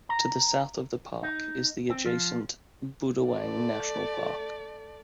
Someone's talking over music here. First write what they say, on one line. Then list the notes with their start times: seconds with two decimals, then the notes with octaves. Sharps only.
To the south of the park is the adjacent Budawang National Park.
0.09 A#5
1.23 D#4
1.90 C4
2.06 F3
3.29 A3 D5